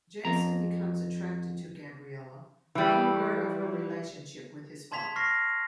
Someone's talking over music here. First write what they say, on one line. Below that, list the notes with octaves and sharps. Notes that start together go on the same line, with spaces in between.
Jason becomes attracted to Gabriela, unaware of her relationship with his father.
F2 A#5
E3 G3
A5 C6 G#6 B6 F7
C#6 F6 A#6 C7